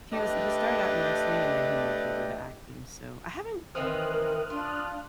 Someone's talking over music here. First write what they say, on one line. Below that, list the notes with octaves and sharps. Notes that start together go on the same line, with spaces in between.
he was he started out in wrestling, and then he moved over to acting, so I haven't
A3 D4 G4 B4 D5 D#5
D#3 E3 C4 D#6 F6 F#6
A#4
D4 F4